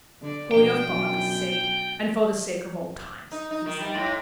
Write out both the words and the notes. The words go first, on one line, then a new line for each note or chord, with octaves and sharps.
"For your father's sake, and for the sake of old times," he said.
D3 D5
B2 F3 D4 G5
F#2 B2 D4
D#4
D#4
D#3
G3
A2